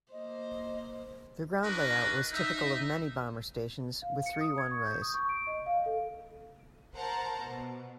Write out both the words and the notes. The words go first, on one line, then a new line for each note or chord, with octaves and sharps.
The ground layout was typical of many bomber stations, with three runways.
A#3 C5 D#5
D4 D#4 F#4 A#4 B4 D#5
D#4 E5
F5
C#7
D#6
G#6
C#6
G6
D#6
C#6
D7
D#5
F5
A4
A#4 C5 F#5 A5 A#5
B2